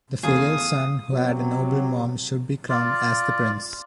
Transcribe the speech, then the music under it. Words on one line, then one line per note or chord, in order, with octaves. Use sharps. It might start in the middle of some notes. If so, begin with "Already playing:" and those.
The filial son who had a noble mom should be crowned as the prince.
E2 C#3 A3 G#4 F5 D#6
C3 F#3
F4 D5